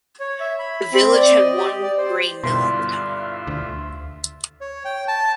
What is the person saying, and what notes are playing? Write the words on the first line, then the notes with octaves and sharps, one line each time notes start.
The village had one grain mill at the time.
C#5
E5
B5
C4
D5
D#5
G4
D5
C5
G2 B2 D3 E4 F4 E5 C6
D2
C#5
G5
A5